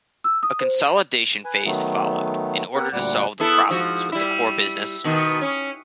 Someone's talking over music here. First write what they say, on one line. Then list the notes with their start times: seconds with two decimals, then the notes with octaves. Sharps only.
A consolidation phase followed, in order to solve the problems with the core business.
0.24 E6
0.43 D#6
0.61 C5
1.45 B4 G#5
1.65 D#3 F#3 A3 B3
2.75 B3 G4 A#4 F#5
2.93 D2 A#2 G3 F#5 D6
3.40 B3 E4 A4
3.69 G#2 F3 F#4
4.12 G3 E4
5.04 B2 D#3 B3
5.41 C#4